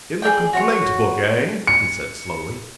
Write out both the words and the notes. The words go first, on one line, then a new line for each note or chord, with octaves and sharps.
"In the complaint-book, eh?" he said, slowly.
G#4 A#4 D5 G5
F#4 C#5 C#6
C#7